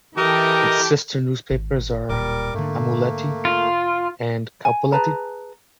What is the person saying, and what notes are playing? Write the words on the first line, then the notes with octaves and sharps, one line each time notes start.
Its sister newspapers are "Aamulehti" and "Kauppalehti".
E3 G4 A4 A#4 D#5 G5
G#1
D1 A#2 G3 A#4 D6
G#2 D3 A3 A#3
F4
G#5
G#4 B4 A5 A#5